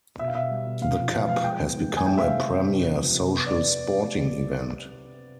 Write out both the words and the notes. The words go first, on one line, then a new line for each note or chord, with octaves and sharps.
The "Cup" has become a premier social sporting event.
B2 E5
F5
B2 E5
G3
B2
C3 F5
F3
B3 F5
F3 F5
G#3 G5
B3
D#3
D#3
G#5
G#3 G5
E5
C3 F5
C4
C4
C3
B3
F3
C3
B3
B3 D5